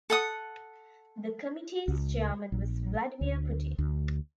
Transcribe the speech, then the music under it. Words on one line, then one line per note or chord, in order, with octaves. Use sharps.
The committee's chairman was Vladimir Putin.
A4 F#5 D#6
C#2
A#1
D2
D2